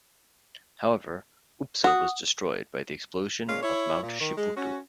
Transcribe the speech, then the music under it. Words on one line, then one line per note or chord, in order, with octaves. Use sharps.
However, Upsa was destroyed by the explosion of Mount Shiputu.
F#4 F#5 D#6
A#2 G#3 C#4 F5
E4 C#5
A#2
D#3
G#3
C#4 F#4